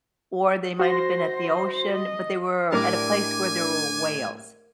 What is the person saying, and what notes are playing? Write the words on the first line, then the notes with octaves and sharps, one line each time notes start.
or they might have been at the ocean, but they were at a place where there were whales,
F#4 C5 C6 A#6
D#5
A2 D4 G4 A#4 G#5 D6